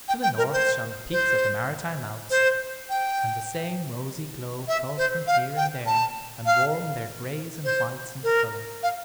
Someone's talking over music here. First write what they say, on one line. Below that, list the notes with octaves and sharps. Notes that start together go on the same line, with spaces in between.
To the north shone the peaks of the maritime Alps, and the same rosy glow caught them here and there, and warmed their grays and whites into color.
G5
G5
A#4
C5
C5
C5
G5
E5
C5
F5
G5
A5
F5
C5
A#4
F5